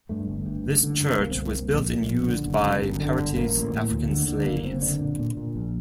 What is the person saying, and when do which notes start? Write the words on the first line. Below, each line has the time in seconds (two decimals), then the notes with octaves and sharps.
This church was built and used by Paraty's African slaves.
0.09 G2 A3
0.28 G1
0.46 G2
0.64 F#1
0.83 D3
1.00 F#2
1.19 C2 A#3
1.31 C4
1.37 C2
1.42 A#3
1.55 C2
1.73 A#1
1.91 A#2
2.09 A#1
2.28 D3
2.46 F#1
2.64 F#2
2.83 G1
3.00 D3
3.19 G1
3.36 A1 A#3
3.56 A1
3.74 A2
3.91 D2
4.09 D3
4.28 D3
4.46 F#1 A#3
4.64 F#1 C4
4.82 D3 D4
5.00 A#2
5.19 A#2
5.37 A#2
5.56 A#1